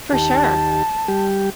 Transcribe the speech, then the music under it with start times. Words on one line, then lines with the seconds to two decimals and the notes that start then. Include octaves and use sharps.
For sure.
0.12 D#2 G4 A5
1.08 G3 G4